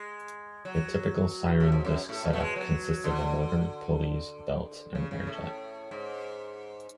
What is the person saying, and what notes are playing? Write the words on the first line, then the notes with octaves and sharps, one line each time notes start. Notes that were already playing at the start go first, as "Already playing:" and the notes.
The typical siren disk setup consists of a motor, pulleys, belt, and air jet.
Already playing: G#3
F#3
A2
G#2
F#2
A2
B2
A3
G#3
F#3
D3
C#3
C#3
A2
G#2